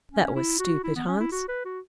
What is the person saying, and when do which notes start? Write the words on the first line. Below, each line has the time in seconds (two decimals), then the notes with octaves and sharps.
'That was stupid, Hans.
0.11 C#4
0.35 E4
0.59 F#4
0.84 E4
0.96 B3
1.08 C#4
1.20 E4
1.32 F#4
1.48 B4
1.65 F#4